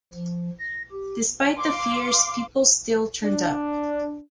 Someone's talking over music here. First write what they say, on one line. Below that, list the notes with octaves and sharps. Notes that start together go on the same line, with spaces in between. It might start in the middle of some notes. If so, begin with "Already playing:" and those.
Despite the fears people still turned up.
F3
A#6
G4
F5 C6 D6
D4